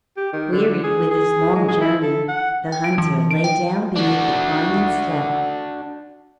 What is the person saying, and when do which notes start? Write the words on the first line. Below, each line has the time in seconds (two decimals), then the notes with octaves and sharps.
Wearied with his long journey, the hunter lay down beneath the pine and slept.
0.17 G4
0.33 D#3
0.53 D3
0.84 G#4
1.11 G#4
1.55 G#3
1.68 G#4
1.81 E4
2.02 A4
2.28 F#5
2.72 G5
2.84 D7
2.98 E3
3.31 D7
3.44 G5
3.96 D4 F#4